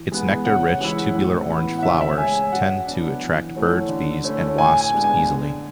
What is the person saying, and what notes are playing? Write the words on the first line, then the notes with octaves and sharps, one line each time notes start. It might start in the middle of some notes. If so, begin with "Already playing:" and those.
Its nectar-rich, tubular orange flowers tend to attract birds, bees, and wasps easily.
Already playing: E3
G#3 B3
C#3 F#5
E3 G#3 C#4 E4
A2
E3 B3 E4
F#5
C#3 E5
E5
G#3 C#4 G#5
G#5
F#3 F#5
B3 D4
E3
A3 C#4 E4
D3
A3 C#4 E4
A2 G#5
G#5
G#3 B3 D4
G#5
D3